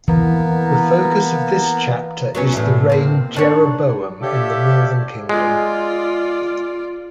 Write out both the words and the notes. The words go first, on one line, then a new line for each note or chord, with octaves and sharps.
The focus of this chapter is the reign Jeroboam in the northern kingdom.
E3 A#3 B3
F#3 B3 C#4
E2 A2
A#3 C4
D#3 D4 C#5
G4 A4 C#5 D5 E5 F5
G#3 F4 D5